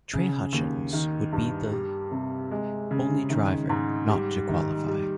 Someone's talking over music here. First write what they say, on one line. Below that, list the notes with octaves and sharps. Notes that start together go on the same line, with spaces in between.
Trey Hutchens would be the only driver not to qualify.
C#3
D#2
D#3
G2
G3
C3
G#3
C#3
D#3
G#2
G3
D#3
G3